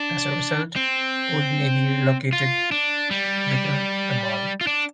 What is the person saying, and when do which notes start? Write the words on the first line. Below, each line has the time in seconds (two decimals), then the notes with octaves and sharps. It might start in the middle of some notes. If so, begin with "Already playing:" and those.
As a result, Old Navy relocated within the mall.
Already playing: D4
0.76 C4
2.33 F4
2.72 D4
3.11 G3
4.61 F4
4.67 D4